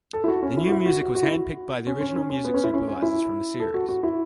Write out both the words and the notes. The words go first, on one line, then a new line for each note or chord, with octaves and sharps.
The new music was handpicked by the original music supervisors from the series.
A4
E4
F#4
C#4
E4
F#4
E4
F#4
F#4
F#4
E4
F#4
C#4
C#4
C#4
C#4
B3
C#4
E4
C#4
C#4
E4
A4
F#4
F#4
E4